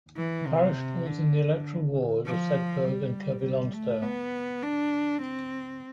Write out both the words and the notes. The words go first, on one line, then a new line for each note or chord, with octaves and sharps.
The parish falls in the electoral ward of Sedbergh and Kirkby Lonsdale.
E3
C3
D3
F3
G3
G3
A3
B3
D4
C4